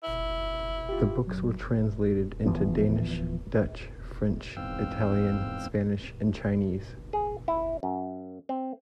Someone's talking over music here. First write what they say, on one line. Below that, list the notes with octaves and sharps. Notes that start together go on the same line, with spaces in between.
The books were translated into Danish, Dutch, French, Italian, Spanish and Chinese.
E4
F4 G4
F#2 F#3
D1 E3 F3 B3
E2 G#2 C4 F5 G5 E6
G#4
E4
F#2
C4